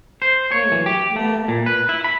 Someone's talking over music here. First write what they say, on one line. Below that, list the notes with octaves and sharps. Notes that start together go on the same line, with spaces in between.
Dang! Yeah.
C5
C#5
E3
G4
A3
A#2
B4
E4
B5